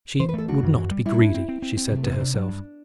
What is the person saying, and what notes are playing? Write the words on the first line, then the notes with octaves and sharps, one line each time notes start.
She would not be greedy, she said to herself.
E3 C5
B4
A3 A4
D4 F#4
F#2
E3
G3
G3 E4
D4
C4
C4
C4
C4
G3
C3 A3
C3 B3
C4
C3 D4
F#3 D4
G2